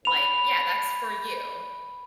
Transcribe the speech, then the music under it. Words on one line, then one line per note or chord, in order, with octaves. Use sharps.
like yeah, that's for you.
B5 F7